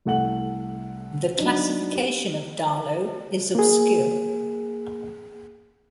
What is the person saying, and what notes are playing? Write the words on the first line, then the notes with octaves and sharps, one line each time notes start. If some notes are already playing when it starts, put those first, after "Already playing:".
The classification of Dahalo is obscure.
C2 A3 F#5 F#7
F#3 D4 D#4
G4
A#3 G#4